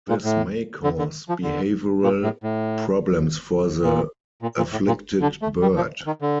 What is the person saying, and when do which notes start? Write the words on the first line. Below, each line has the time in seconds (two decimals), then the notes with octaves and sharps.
This may cause behavioural problems for the afflicted bird.
0.09 A#2
0.24 A2
0.84 D3
0.99 D3
1.29 F3
1.43 D3
2.03 A#2
2.23 A2
2.44 A2
3.83 A#2
4.42 A#2
4.57 A#2
4.72 A2
4.87 A#2
5.22 D3
5.42 A3
5.62 G3
5.76 F3
6.07 D#3
6.21 D3